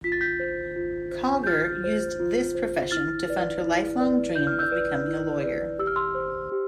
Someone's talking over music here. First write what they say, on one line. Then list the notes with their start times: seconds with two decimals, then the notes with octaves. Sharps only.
Kauger used this profession to fund her lifelong dream of becoming a lawyer.
0.04 F4 B6
0.12 A6
0.21 G6 B6
0.40 C5
0.76 F4
1.11 C5
1.44 G6
1.47 F4 F6 A6
1.84 C5
2.20 F4
2.55 C5
2.91 E4 F6 A6
3.28 B4 D5
3.64 E4
4.00 B4 D5
4.36 E4 G6
4.47 F6
4.59 E6 G6
4.71 B4 D5
5.07 E4
5.43 B4 D5
5.79 G4 E6
5.87 F6
5.96 C6 E6
6.15 C5
6.52 G4